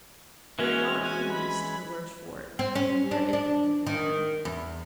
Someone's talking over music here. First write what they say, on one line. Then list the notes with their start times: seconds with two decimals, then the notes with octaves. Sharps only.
They are not in the least the worse for it, and we are infinitely the better.
0.59 E3 G#3 C#4 F#4 F6
1.01 F#4 G#5
1.32 B5
2.59 C4
2.75 C#4
3.11 D4
3.33 D4
3.86 D#3
4.45 E2